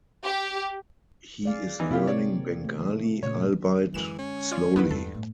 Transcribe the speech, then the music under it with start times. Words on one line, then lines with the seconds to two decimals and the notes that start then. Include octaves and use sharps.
He is learning Bengali, albeit slowly.
0.24 G4
1.44 G#4 D5 F5
1.80 E3 D#4
1.91 C3 A#3 C4 E4 F4 G4
2.07 C#5 D5
2.63 E3 A3
3.23 A#2 C#3 A3 C#5
3.94 F#2 D3 E3 G#3 E7
4.18 C#4
4.51 F4 D5
4.76 G2 E3 B3 E4 B4
4.91 E2 A4
5.14 A2